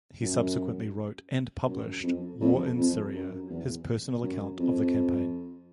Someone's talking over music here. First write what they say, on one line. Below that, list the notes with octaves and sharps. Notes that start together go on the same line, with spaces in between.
He subsequently wrote and published "War in Syria", his personal account of the campaign.
F#2
F#2
F2
F2
F2
F#2
E2
F#2
F2